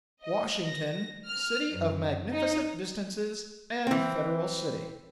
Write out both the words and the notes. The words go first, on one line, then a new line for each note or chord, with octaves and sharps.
Washington, City of Magnificent Distances, and Federal City.
D#5
A#6
F6
F#2
D#4
E3 C4